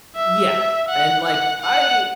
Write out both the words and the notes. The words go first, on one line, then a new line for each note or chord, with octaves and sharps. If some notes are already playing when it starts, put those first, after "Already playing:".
Yeah. And, like, I
E5
F#5
F#5
F#5